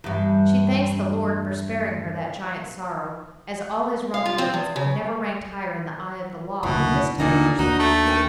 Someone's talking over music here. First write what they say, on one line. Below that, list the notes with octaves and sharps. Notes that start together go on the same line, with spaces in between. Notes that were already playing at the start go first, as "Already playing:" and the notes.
She thanks the Lord for sparing her that giant sorrow, as all his wrong doings never ranked higher, in the eye of the law, than misdemeanors.
E2 G2
F5
F4
C4
E2
C#3
F#1 D2 B2 E3
D#2 A#2 D3 D4 D#4 F#4
D#2 D4 D#4 F#4
A3
A#4 G5 G#5